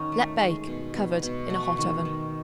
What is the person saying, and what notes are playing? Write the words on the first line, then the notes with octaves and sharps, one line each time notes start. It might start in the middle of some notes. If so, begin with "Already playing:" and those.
Let bake, covered, in a hot oven.
Already playing: D#3 C#4 D#4 F#4
A3
G#3
B2
B3
B2
A3 F#4
D#3
D#3